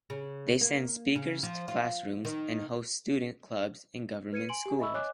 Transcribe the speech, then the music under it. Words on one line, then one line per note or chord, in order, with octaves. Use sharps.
They send speakers to classrooms and host student clubs in government schools.
C#3
A#3
C#3
F3
F4
D#3
B4 G#6 C#7 D#7
G#5 C6 D7 F#7
G4 G#5
D#5 E5 B5 C#6 E6
C#5 D#5 G#5 D6 F#6